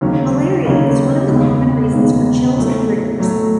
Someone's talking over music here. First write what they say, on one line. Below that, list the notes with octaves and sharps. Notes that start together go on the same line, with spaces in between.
Malaria is one of the common reasons for chills and rigors.
D#2 C#3 F#3 C#4
D#2 C#3 F#3 C#4
E1 D#2 C#3 G#3 B3
E1 D#2 C#3 G#3 B3
A2 F#3 A3
A2 F#3 A3